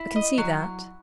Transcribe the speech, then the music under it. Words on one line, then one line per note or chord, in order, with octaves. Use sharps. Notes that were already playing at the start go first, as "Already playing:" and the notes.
I can see that.
Already playing: E4
D#5
F#3